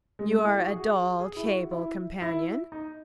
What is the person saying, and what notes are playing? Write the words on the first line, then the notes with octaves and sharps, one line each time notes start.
You are a dull table-companion.
G#3
A3
E4
F#4
G#4
F#4
G#4
E4
F#4
E4
E4
D#4